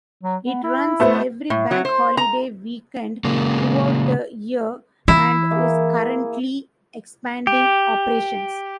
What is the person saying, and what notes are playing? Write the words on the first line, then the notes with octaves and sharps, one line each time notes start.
It runs every bank holiday weekend throughout the year and is currently expanding operations.
F#3
B3
E4
A3 B3 C5
A2
F#3
C5
A#5
C#3 G#3 A#3
E3 E4
A#3 G#4 E5
G4